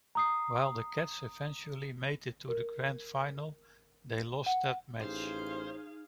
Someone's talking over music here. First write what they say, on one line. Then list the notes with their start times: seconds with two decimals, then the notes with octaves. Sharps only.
While the Cats eventually made it to the grand final, they lost that match.
0.15 A#5 D#6 C7
2.49 A#4
4.46 F#5
5.01 A1 D#4 G#4 C5 F5